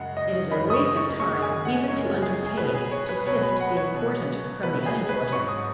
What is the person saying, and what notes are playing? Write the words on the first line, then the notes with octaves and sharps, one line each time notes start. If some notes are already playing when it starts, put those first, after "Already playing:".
It is a waste of time even to undertake to sift the important from the unimportant.
Already playing: F#2 C#3 G#3 F#5
D#5
F#2 C#3 G#3 B5
D#6
C#6
C#6
F#2 C#3 G#3 C#6
G#5
F#5
F#2 C#3 G#3 C#5
G#4
G#4
B2 F#3 B4
G#4
C#5
B4
B2 F#3 C#5
B5
F#5
C#5
B2 F#3
B2 F#3 B4
G#4
B4
G#2 F#3 C#6
D#6